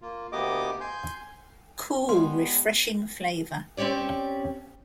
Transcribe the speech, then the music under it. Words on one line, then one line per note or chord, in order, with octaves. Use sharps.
Cool, refreshing flavour.
A#3 F4
D2 A#3 B3 G4 D#5 D6
G#5 C6 G6
G3 G#3 B3 C6
C4 C#4 G4 C#5 D5